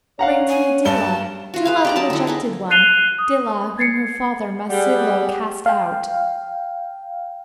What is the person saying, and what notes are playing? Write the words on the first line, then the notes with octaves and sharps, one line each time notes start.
Bring to me Dilah, Dilah the rejected one, Dilah, whom her father Masilo cast out!
C#4 C#5 F5 F#5 A#5
G#5
G2 A5 G7
F4 F#4
G#4 B4 F5
G4 D5 A#5
F#3 D#4 A5
D3 E4
B3 D#4 G#4
F#6 A6 C7 D#7 F7 G7
D#6
G#6 A6 C7 C#7
G3 G4 G#4 F#5
F5 G5